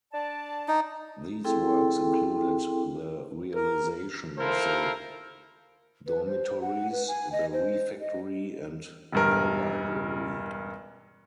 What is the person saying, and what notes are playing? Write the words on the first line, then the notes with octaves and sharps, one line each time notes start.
These works included the realization of the dormitories, the refectory and the library.
D4 D5 A5
D#4
C4 E4 G#4 A4 G5 C6
A#4
E4 F4 A4 A#4 C5 F5
B4
C5
F#5
B4
G#5
D#5
C5
D#5
E1 G2 A#4